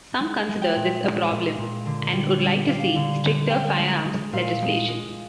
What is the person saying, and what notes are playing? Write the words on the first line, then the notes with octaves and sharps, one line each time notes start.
Some consider this a problem and would like to see stricter firearms legislation.
G#3
G#3
G5
A#2
G#3
A#2
A#2
D3
G3
G3
G3 F5
D3
D3
G#3 G5
G#3
G#3
A#2 F5
G#3
G#3